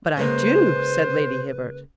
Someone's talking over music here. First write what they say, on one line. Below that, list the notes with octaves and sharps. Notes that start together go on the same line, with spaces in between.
"But I do," said Lady Hibbert.
C#3 G#3 A#3 B4 C5